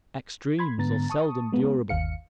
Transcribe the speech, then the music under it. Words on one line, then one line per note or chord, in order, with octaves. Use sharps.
Extremes are seldom durable.
B5 C6 G#6
G#2 D3 B3 A#5 A6
A5 C#6 D#6
G#3 B3
G1 D#2 F5 C#7